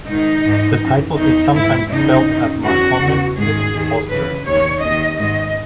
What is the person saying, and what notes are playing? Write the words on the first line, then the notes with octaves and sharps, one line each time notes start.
The title is sometimes spelt as Mahomet the Impostor.
G#2 D#3 D#4
G#2 E3
F#2 E3
E2 D#3 D#4
G#2 E3 E4
E2 C#3 E3 D#4
F#2 D#3
E2 C#3 E3 F#4
E2 C#3 E3
G#2 D#3 G#4
D#2 D#3
F#2 C#3 E3 B4
D#2 D#3 C#5
D#2 D#3 D#5
G#2 D#3 D#5